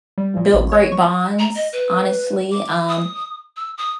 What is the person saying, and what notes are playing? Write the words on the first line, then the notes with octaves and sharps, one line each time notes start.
built great bonds, honestly, um,
G3
A#2
A1
C#5
C#6
A#5
D#5
B4
D6
D#6
E6
D#6